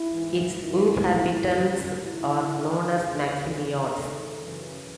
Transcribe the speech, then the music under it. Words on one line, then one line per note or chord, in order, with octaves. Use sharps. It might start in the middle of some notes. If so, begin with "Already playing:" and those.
Its inhabitants are known as "Meximiards".
Already playing: E4
G#2 E3
F#2 D#3 E4
G#2 E3
F#2 C#3 E3
G#2 D#3 E4
G#2 D#3
D#2 C#3 E3 G#4
E2 C#3 E3 A4
G#2 D#3
F#2 C#3 E3